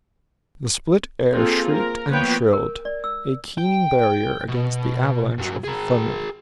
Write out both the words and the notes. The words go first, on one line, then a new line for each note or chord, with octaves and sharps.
The split air shrieked and shrilled, a keening barrier against the avalanche of the thunder.
A#3 C4 F4 G#4 A4
A#4
F3 A#3 B3 B4 C#5 G5
A#4
D5
E6
G5
B2
G2 F#3
G#4 A#4